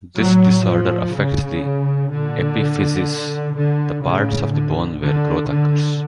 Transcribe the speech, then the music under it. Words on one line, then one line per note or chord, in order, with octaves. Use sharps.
This disorder affects the epiphyses, the parts of the bone where growth occurs.
A2 F#3
F3
C#3
A#2 D3
D3
A2 C#3
D3
D3
D3